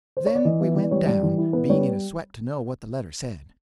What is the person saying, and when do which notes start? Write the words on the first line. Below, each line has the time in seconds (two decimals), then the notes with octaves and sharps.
Then we went down, being in a sweat to know what the letter said.
0.17 C5
0.26 C#5
0.35 D5
0.45 E3 D#5
0.60 B3 E5
0.75 E3 D5
0.91 G3 C#5
1.06 G3 D5
1.23 E3
1.38 E4
1.53 B3
1.70 G3 C#5